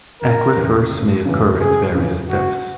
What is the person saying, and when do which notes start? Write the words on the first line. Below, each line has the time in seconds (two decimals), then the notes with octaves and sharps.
Aquifers may occur at various depths.
0.21 F#1 A#4
0.56 E2 C#3
0.90 F#1
1.25 E2 C#3
1.60 F#1 G#4
1.95 E2 C#3
2.29 F#1 F#4